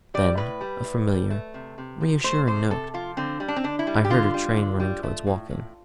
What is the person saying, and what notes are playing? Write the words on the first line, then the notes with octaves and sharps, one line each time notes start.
Then--a familiar, reassuring note--I heard a train running towards Woking.
G3 D5
A2 B4
G3
A2
G3
A3
C3
C3
F3
A3 C5
C3 C5
C3 A4
F3 F4
D3 C4
G3
D4
C4
D3 D4
E4
G3
G4
D3 F4
G3
D3
G3
A3
A2
A2